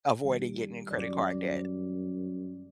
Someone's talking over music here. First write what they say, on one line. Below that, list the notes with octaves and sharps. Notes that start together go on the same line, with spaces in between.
avoiding getting in credit card debt.
D#3 G3
F#2 D5